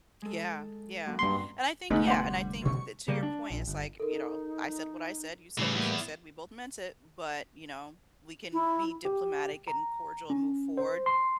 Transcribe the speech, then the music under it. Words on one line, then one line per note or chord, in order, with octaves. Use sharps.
Yeah. Yeah. And I think yeah, and I think that to your point, it's like, you know, "I said what I said, you said what you said. We both meant it, but," you know, "we can be diplomatic and cordial and move forward,"
G#3 A4
F#2 A#3 F#6
G2 A#3 B3 A#5 C6
F1 D2 G#2 A3 B3 D4 B4
G3 F#5 C6
B2 D3 F3 C#6
C#3 G3 A#3
D4
A#1
G1
D#4 A4 A#4
A2 C#3 E3 G3 E4 B4 C#5
E2 A#3
E4
G4
A#5
C#4
C5
C6